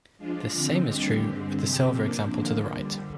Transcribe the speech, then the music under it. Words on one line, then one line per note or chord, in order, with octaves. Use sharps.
The same is true with the silver example to the right.
F3 G#3 D4 F4
D3 G#3 C4
D#2 D3 G3 D4 G4
G2 D3 G#3 C4
F2 C3 F3 C4 G4
F3 A#3 D4
D#2 D3 F3 A#3
F2 D3 G3